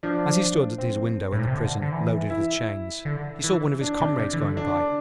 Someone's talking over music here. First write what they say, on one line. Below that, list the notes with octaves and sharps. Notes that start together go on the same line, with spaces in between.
As he stood at his window in the prison, loaded with chains, he saw one of his comrades going by.
F3 D4
C4
A2
A#2
C3
D3
D3
E3
E4
D3
E3
D4
C3
C3
E3
D3
D4